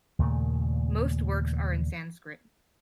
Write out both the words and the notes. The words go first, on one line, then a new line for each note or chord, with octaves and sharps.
Most works are in Sanskrit.
D#2 A#2 C#3 A3